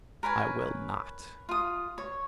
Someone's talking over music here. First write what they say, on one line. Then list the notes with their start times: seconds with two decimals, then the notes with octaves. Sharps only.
"I will not."
0.23 A#4 B4 C#5 G#5
1.49 F4 D#6
1.98 C#5